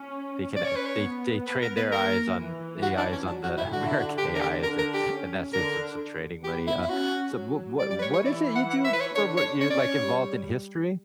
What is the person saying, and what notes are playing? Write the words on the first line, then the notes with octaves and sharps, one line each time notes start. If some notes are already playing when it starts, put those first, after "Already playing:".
they can they they train their eyes on AIs on the American AIs and and that saves them some training money. Uh, so what what what is it you do for wor you're, like, involved in history?
Already playing: C#4
C#4 D5
C#5
B4
C#5
B3
B4
A#4
B4
A#3 A#4
E3
F#4
D4
C#4
F#3 D4
F#4
E4
D3 D4 F#4
E4
F#4
G4
A#4
G4
D3 D4 A#4
A#4
G4
C#4
D3 D4 A#4
B3 G4
E4
E4
C#4 F#4
F#3
G3 D5
D5
B4
C#5
C#5
E3 E4 D5
F#5
F#5
E5
B4
C#5
D3 D4 C#5
C#5
C#4 C#5
D5
C#5
G3